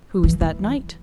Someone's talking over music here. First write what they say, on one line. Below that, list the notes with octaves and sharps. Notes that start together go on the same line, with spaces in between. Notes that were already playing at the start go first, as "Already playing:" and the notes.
Who is that knight?
E3
E3